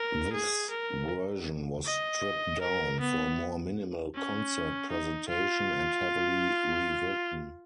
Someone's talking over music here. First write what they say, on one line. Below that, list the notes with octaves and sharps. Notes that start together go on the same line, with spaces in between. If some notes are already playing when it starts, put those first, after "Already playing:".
This version was stripped down for a more minimal "concert" presentation and heavily rewritten.
Already playing: A#4
G#4
A#4
D#5
A#4
B3
C#4
D#4
F4